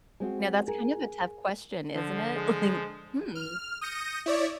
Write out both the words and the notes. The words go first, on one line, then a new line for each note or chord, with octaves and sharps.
Now that's kind of a tough question, isn't it? Like, hmm
G#3 C4 F#4
G#4 A#4
D3 F3
G#3
F6
D#6 G6 A#6 C#7 D#7
E4 C#5 D5